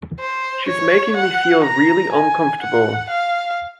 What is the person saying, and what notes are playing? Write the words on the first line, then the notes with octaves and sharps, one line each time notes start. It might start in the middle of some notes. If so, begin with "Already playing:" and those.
She’s making me feel really uncomfortable.
C5
C#5
F#5
A#5
G#5
F#5
F5